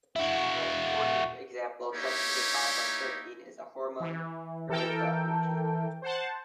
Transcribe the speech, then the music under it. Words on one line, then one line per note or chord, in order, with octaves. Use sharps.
An important example of such a complex protein is the hormone erythropoietin.
E4 F#4
A#3 D#4 E4 G4 C#5
E3
E3 A4 A#4 G5
C5 F#5 A5